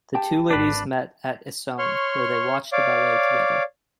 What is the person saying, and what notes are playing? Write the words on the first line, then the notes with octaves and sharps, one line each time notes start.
The two ladies met at Essone where they watched a ballet together.
G4 G5 A5
G#1 D4 B4
C#5 C6 C#6 F6
C#5 D5 F5 D6